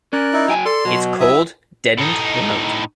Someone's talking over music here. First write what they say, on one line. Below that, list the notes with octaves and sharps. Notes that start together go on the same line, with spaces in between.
It's cold, deadened, remote.
C#4 A#4 D5 F#6
D#4 E4
F#3 G5 G#5
A4 D5 C6
B2 F#3
E4 E5 D#6
A2 D#4